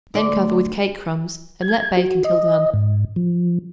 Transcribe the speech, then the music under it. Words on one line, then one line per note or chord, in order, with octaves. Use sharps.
Then cover with cake-crumbs and let bake until done.
D2 D5
G#6
F#4
D#5
G#2
F3